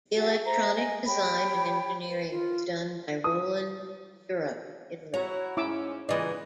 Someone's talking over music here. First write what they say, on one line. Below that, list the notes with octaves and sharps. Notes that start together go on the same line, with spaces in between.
The electronic design and engineering was done by Roland Europe, Italy.
F#4 G#4 E5
C5 E5 A#5
D#5 G#5
G4 C#5 G5 B5
B4 C5
F4
D#6
E4 F#4 C#5 A#5
G#2 C#4 E4 D6 E6
A#2 C#3 E3 G#3 D5 D#5